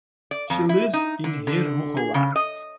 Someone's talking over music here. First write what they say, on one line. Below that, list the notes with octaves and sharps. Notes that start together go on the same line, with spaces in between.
She lives in Heerhugowaard.
D5
F2
E4
D#4
D3
D3
G#4
C#3
D#5